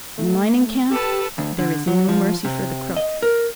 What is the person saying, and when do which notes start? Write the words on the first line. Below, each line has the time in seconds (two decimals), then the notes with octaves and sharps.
In a mining camp there is no mercy for the crook.
0.18 A3
0.90 G4 A4 B4 A5
1.38 D2
1.58 D3
1.88 F#3
2.08 F3
2.45 C3
2.97 D#5
3.22 A#4